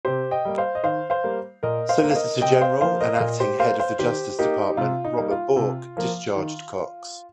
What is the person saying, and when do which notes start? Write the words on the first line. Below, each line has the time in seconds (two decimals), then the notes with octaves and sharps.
Solicitor General and acting head of the Justice Department Robert Bork discharged Cox.
0.05 C3 G4 C5
0.31 D#5 G5
0.45 G3 A#3
0.58 C5 F5
0.75 D#5
0.83 D#3 C5 F5
1.10 C5 F5
1.24 G3 A#3
1.63 A#2 A#4 D#5
1.89 C5 F5
2.02 A#3
2.10 F5
2.15 A#4 D#5
2.41 C3 D#5 G5
2.61 C5 F5
2.81 F3 A#3 C5 F5
3.01 A#4 D#5
3.15 F5
3.20 A#2 A#4 D#5
3.40 G4 C5
3.59 A#3 C5 F5
3.80 C5 F5
3.99 D#3 G4 C5
4.39 A#3 D#4 G4
4.77 C3 F4
5.04 D#4
5.17 G3 A#3
5.31 F4
5.56 C3
5.97 F3 A#3
6.35 D#3